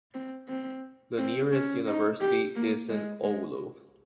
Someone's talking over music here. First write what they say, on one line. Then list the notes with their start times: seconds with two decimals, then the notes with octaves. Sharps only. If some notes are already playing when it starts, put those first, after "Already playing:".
The nearest university is in Oulu.
0.14 C4
0.49 C4
1.18 C4
1.52 C#4
1.87 D#4
2.21 G4
2.56 A#3
2.90 G#3
3.24 G#3